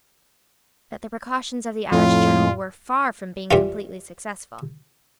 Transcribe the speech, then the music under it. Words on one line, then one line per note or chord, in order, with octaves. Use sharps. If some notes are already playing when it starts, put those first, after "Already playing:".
But the precautions of the Irish general were far from being completely successful.
F2 A2 F4
G2 E3 F4